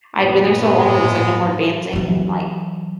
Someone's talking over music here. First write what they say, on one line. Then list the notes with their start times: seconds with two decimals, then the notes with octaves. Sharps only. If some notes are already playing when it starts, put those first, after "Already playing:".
I'd been there so long there was, like, no more advancing and, like,
0.19 G1 A#2 B3
0.75 A2 G#3
1.93 E3 F#3